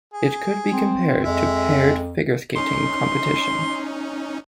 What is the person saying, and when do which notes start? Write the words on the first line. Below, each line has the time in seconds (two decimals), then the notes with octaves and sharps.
It could be compared to paired figure skating competition.
0.14 G#4
0.70 C4
1.24 F2 G#3 E5
2.56 C#4 D#4 C6